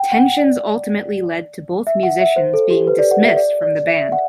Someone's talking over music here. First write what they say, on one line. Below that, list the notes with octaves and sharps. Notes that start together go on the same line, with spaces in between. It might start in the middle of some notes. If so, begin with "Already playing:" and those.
Tensions ultimately led to both musicians being dismissed from the band.
Already playing: F#5 G5
F#5
D5
E5
F#5
E5
C5
A4
G4
B4
D5
F#5
E5
D5
D5
E5
F#5